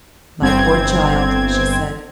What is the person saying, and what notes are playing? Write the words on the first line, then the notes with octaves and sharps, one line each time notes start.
"My poor child," she said.
G1 C4 G#6